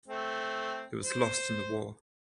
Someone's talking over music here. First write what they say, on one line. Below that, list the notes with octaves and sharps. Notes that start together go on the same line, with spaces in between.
It was lost in the war.
A3 C4
C5